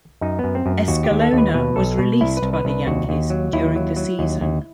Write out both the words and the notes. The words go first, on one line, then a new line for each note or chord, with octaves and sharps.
Escalona was released by the Yankees during the season.
F#2 D#4
F#2 B3
C4
F#2
D#2 F#4
G4
D#2
A4
D#2
B4
B2 B4
B1 A4
B2
C2 E4
B4
C2
B4
C2
B4
D#2 F#4
D#2
F#3
D#2 E4
F#3
F#3
D#2
D#2